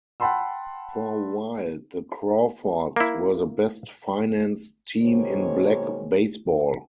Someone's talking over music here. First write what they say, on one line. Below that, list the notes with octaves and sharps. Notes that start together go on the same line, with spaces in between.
For a while, the Crawfords were the best-financed team in black baseball.
F#5 G5 A5 B5 C6 E6
A#3 E4
B2 D#3 G#3 A#3 C5 C#5